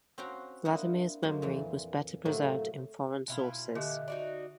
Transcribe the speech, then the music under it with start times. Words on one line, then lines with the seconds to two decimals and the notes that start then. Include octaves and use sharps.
Vladimir's memory was better preserved in foreign sources.
0.18 C4 C#4 F#4 F5 G5 A#5
0.65 A#3 D4 E4 C5 D#5 F#5
1.22 F#2 G#3 A#3 C5
1.42 F2 A#2 E3
2.25 A2 C3 F#3 A3 A#3
3.28 B2 E4 F4
3.75 A#2 D3 G4 D#5 E5 F#6
4.08 D#4 F#4 D5